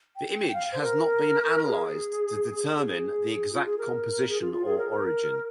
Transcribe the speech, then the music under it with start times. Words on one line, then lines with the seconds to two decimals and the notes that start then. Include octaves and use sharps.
The image has not been analyzed to determine its exact composition or origin.
0.16 G5
0.53 F5
0.72 C5
0.81 A#4
1.65 G#4
2.78 G#4
3.53 F4
3.66 G#4
3.78 A#4
4.28 G#4
4.41 F4
4.53 F4
4.65 G#4
4.78 A#4
4.90 A#4